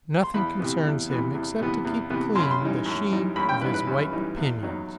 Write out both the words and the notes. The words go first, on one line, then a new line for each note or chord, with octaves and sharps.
Nothing concerns him except to keep clean the sheen of his white pinions.
C6
E2 B5
C3 E3 B3
E2
C3 E3 B3
E2
C3 E3 B3
E2
C3 E3 B3
F#2 C6
B5
C6
E3 G3 D#4
F#2
E3 G3 D#4
F#2 B5
G5
E3 G3 D#4 B4
B4
F#2
E3 G3 D#4
E2
D#3 F#3 B3 D#4